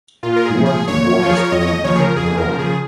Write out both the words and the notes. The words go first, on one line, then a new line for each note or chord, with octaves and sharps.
He went to boarding school in Drôme.
A#2 F4
A#4
G#4
F3
G#4
A#2 C#5
F3 F4
G#4
A#4
C#5
F2 D#5
C#5
D#5
C#3 F3 C#5
G#4
A#4
F2 G#4
A#4
C#3 F3
G#4